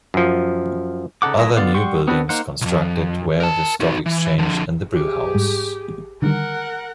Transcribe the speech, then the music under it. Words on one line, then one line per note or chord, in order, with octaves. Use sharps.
Other new buildings constructed were the Stock Exchange and the Brewhouse.
F#2 F3
C#3 D#4 A4 F#5 D6
F#3 A3 E4 D#5
D3 B3 F4 D5
G3 F#5 G5 C6 C#6
B3 C4 D4 F#4 B4
A#3 D#4 C5 F#5
B1 F2
A#4 A5
D#4 F#4
E3
D3 F3
G4 G#4
G#2 G3
D3 D#3 G3 A#4 F#5